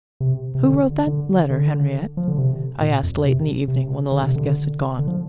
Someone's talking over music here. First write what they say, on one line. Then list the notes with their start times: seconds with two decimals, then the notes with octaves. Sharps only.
"Who wrote that letter, Henriette?" I asked late in the evening when the last guest had gone.
0.20 C3
0.55 C3
0.63 D3
1.07 D3
1.50 D3
2.17 F3
2.28 D3
2.38 C3
2.81 A#2
3.03 F2
3.25 C3
3.68 C3
4.12 D3
4.24 C3
4.36 D3
4.99 D3
5.07 F3